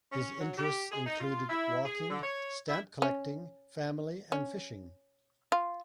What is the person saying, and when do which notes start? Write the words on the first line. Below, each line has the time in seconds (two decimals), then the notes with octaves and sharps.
His interests included walking, stamp-collecting, family and fishing.
0.11 C#4
0.40 F#3
0.57 G4
0.92 G#4
1.06 D#4
1.20 F4
1.50 E4
1.84 G#4
2.10 D3
2.23 C#5
2.69 E4
3.02 C#4
4.32 C#4
5.52 F4